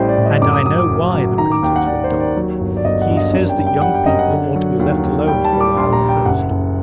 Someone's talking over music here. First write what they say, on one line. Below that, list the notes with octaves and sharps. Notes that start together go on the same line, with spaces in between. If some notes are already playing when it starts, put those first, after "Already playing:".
"And I know why," the princess went on; "he says that young people ought to be left alone for a while at first."
Already playing: A1 A2 G3 C5 D#5 G5
D5
A1
D#5
F#2 D6
D#6
F#3 D#6
D6
F#1
F#3
D#3 A#5
D6
D#2 G5
F#5
D#2 D5
C5
D#2
D5
F#3
G1
D5
G1 D#5
F#5
G2
D#5
F#2 D5
G5
G3
G5
G3 F#5
G5
F#2 D#5
F#5
D3
F#3
D#2
D#2
G3 G5
A5
G3
D6
A#1 C6
A#5
G3
G5
F#1 F#5
F#1